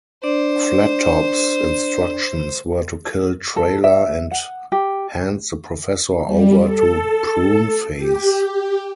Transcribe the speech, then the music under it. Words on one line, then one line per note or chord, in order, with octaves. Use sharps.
Flattop's instructions were to kill Trailer and hand the Professor over to Pruneface.
D4 C5 D5
A4
E5
F#5
G4
G3
A4
G4